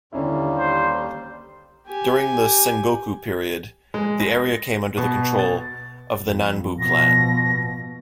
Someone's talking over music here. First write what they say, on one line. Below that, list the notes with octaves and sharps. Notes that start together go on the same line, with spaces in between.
During the Sengoku period, the area came under the control of the Nanbu clan.
D#2 D3 G3 A#3 C#4 E4
C5
G4 G#5
G#3
A#6
B2
A6
F2
B2 F3 A#6